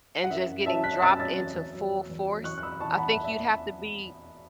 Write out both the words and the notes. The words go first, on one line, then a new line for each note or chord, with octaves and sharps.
and just getting dropped into full force, I think you'd have to be
F#5
F#2 E5
F#2
F#3 E5 A5
F#2 F#6 B6
F#3 E6 A6
F#3 E6 A6
E2
E2
F#3
E2
E2
F#3
E3 C#6 F#6
F#6
E2 B5 E6
E3 A5 C#6
E2 F#5 B5
E5
E2
E5